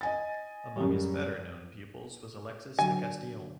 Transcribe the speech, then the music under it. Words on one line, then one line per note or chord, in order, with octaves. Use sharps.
Among his better known pupils was Alexis de Castillon.
D#5 G#5 A6
F#2 G3
D3 F#3 G#5